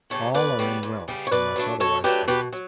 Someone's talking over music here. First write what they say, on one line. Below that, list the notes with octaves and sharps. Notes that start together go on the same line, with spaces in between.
All are in Welsh unless otherwise stated.
C#3 G3 B3 A4 C#5
E2 B4 D5
C#3 G3 B3
E2
C#3 G3 B3
C#5
B2 B4 D5
F#3 A3 D4
B2 A4 C#5
F#3 A3 D4 G4 B4
B2 G4 B4
F#3